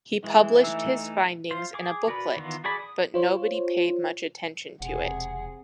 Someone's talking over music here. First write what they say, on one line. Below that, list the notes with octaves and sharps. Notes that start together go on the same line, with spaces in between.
He published his findings in a booklet, but nobody paid much attention to it.
E3 G#3
A3 D#4 E6
F4 C5 F5
G#4 D6
F#4 A#4 B4 D5 B5
D#3 E3 B3 F4
F#4 G#4 D5 B5
D#6
F4 C5 C#5
E1 C3 G#4 F#5